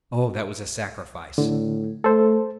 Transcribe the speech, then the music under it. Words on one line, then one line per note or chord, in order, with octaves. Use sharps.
Oh, that was a sacrifice!
A2 D3
A3 A4 C5